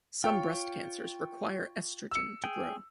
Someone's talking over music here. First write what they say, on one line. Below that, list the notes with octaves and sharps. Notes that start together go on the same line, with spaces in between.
Some breast cancers require estrogen to grow.
F4 C#5 G5
E6 C#7
G#4 G5